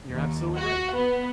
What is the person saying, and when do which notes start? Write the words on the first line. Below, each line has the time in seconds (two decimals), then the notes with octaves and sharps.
You're absolutely right,
0.11 D#2
0.57 F#4
0.94 B3